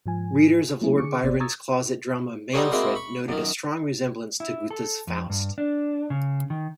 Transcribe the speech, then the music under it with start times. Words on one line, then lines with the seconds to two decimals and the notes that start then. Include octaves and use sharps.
Readers of Lord Byron's closet drama "Manfred" noted a strong resemblance to Goethe's "Faust".
0.06 G#2 F3 G#5
0.81 F#3 A3 A#3 C4 E4 G#4
0.98 D3 G#4 C#6 D6 C#7
1.23 G#1 C3 B3 C5 D5
1.40 A#5 C#6 D#6 E6 G#6 A6
2.53 G3 B3 D#4 A4 C5 C#5
2.71 G#3 A#3 C4 E4 F#4
2.95 B5 C#6
3.28 F#2 D#3
4.40 E4
4.71 A4
5.07 F2
5.30 G2
5.58 D4
6.10 C#3
6.50 D#3